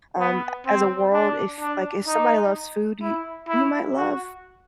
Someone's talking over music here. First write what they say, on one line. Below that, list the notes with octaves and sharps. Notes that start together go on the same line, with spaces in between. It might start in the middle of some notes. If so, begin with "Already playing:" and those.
um, as a world if, like, if somebody loves food, y we might love,
B3
C4
D4
D4
D#4
E4
E4
F#4